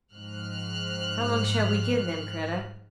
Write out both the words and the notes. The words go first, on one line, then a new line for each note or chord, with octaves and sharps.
"How long shall we give them, Kreta?"
G#2 F3 C4 F6 F#6